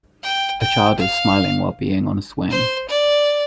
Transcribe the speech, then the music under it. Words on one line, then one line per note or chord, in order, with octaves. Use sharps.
A child is smiling while being on a swing.
G5
G5
F5
C5
D5